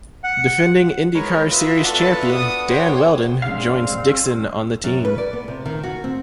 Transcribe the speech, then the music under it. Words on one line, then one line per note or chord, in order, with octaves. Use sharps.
Defending IndyCar Series champion, Dan Wheldon joins Dixon on the team.
F#5
G#3 A#4 B4 C#5
F4 B4 D#5 E5
B3 D4 F#4 A4 A5
D#6
C5 C#5 G5
F#2 G#3 C4 D4 F5
F#2
B4
D5
B3
C3
D#3
F#4
C4